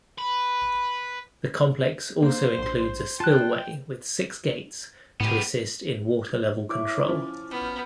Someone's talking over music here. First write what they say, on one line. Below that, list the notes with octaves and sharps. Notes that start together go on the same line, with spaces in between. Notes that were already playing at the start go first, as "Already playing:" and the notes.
The complex also includes a spillway with six gates to assist in water-level control.
B4
A#3 C5
A#1 C6
F4 G5 A5 F#6
A2 B3 G4
E4 C#5 E5 C#6 D6
F3 C#4
B3 F#4 F6 G6